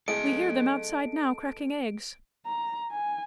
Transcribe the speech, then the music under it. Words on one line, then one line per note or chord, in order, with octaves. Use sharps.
We hear them outside now cracking eggs.
G#3 A3 E4 A4 D#5 D7
A#5
G#5